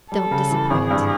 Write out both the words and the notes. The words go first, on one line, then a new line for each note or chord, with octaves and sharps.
Don't disappoint.
G3 A4
C#3
E3
G#1 G#4
G2